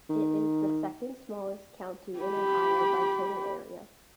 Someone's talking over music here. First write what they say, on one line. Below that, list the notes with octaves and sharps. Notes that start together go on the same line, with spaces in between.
It is the second-smallest county in Ohio by total area.
D#3
G4 B5